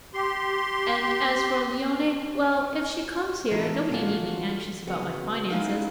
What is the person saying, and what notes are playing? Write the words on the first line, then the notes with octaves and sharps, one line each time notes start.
And as for Leonie--well, if she comes here, nobody need be anxious about my finances.
G4 C6
E3 D4 E4 A4 A#5
D3 E3 F#3 B3 F4 F#4
C#3 A#3 B3 F#4
G#3 C#4 D#4 E4 B4 F5